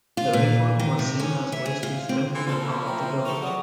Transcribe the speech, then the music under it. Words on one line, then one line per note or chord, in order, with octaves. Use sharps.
The reforms were seen as ways to strengthen the power of the Governor.
F4
A#2
D#3
C3
C#4
E5
G#4
F4
C4
E3 C6
A#2 F3 A4 C5
F4 G#5 B5
E5 G5 A#5 C6
G4 A4 A#4 C#6
F#3 B3 G#4 D5 D#6